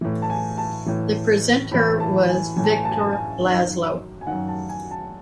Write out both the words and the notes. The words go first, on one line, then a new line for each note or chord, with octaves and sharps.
The presenter was Viktor Lazlo.
A2 E3
A5
G#5
A5
A2 E3
A2 E3 B5
A5
G#5
A2 E3 G#5
A5
G#5
A5
G#5
A5
G#5
F#2 D#3
G#5
F#2 D#3 F#5
A5
G#5
A5